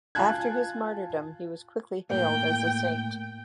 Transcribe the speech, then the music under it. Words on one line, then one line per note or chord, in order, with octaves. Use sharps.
After his martyrdom, he was quickly hailed as a saint.
F4 F5 G#5 A5 F#6 G#6
A2 A#3 G5